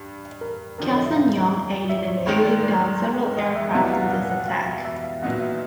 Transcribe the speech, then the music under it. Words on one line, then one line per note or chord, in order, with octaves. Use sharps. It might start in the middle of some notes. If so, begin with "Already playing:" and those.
"Cassin Young" aided in shooting down several aircraft in this attack.
Already playing: G2
A#4
F2 D3 F3 A#4
C#5
D#5
E5
F5
E5
D5
C#5
C5
G#2 D#3 G#3 C#5
D5
D5
D#5
E5
B2 G3 B3 E4 F5
F#5
F5
F#5
F5
F#5
F5
F5
E5
F5
A#2 F#3 B3 D#4 F#4 F#5
E5